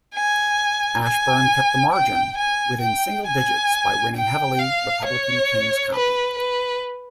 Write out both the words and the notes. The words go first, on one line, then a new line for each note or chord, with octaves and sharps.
Ashburn kept the margin within single digits by winning heavily Republican Kings County.
G#5
G#5
G5
G#5
G5
G#5
G5
F5
C#5
B4
B4